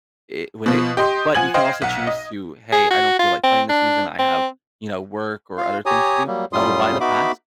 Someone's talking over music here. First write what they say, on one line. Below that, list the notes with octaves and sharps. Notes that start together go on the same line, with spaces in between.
it with it, but you can also choose to, "Hey, I don't feel like playing this season. I have, you know, work or other things to do. I will buy the pass,
B2 F3
G4 D#5 C6
F3 F#5 G#5 G#6 F#7
C5 D#5 F5 G5
B1 F#5
D#5
G#4
F#4
F4
C4
D4
C4
F4 F5
G4 C#5 G#5 A#5 D#6
F#3 G3 A#3
F#2 A2 G3 F4 C6 D#6
B3 D#4 F#4 E5 B5 D6